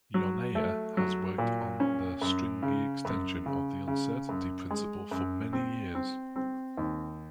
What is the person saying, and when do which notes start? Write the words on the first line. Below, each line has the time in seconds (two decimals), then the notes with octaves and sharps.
Yoneya has worked on the stringy extension of the uncertainty principle for many years.
0.14 F#3
0.55 A3
0.97 F#3
1.38 A#2
1.80 C#4
2.22 F#2
2.63 C#3
3.05 F#2
3.46 C#3
3.88 C#3
4.29 F#2
4.70 G#3
5.11 F#2
5.53 C4
5.95 C4
6.36 C4
6.78 D#2